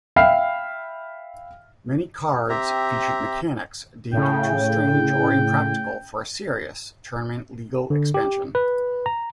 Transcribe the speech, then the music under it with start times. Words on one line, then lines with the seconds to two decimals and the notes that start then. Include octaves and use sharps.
Many cards featured mechanics deemed too strange or impractical for a "serious," tournament-legal expansion.
0.16 E5 F5 G5 B5 F6 C7
2.50 C4 G4 E5 A#5
4.13 A2 C#3 G5
7.90 D3
8.14 G4
8.55 B4
9.06 A#5